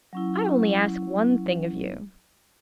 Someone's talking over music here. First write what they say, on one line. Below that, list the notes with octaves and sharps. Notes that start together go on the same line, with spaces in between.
I only ask one thing of you.
F#3 C#4 E4